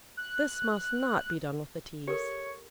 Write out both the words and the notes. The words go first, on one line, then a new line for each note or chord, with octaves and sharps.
This must not be done with the Teas.
F#6
G4 A4 A#4 C#5